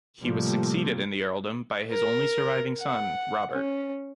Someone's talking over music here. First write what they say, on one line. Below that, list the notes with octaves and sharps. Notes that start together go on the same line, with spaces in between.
He was succeeded in the earldom by his only surviving son, Robert.
A2 C3 F3 G3 A3 A#3
A#4
F#5
C#4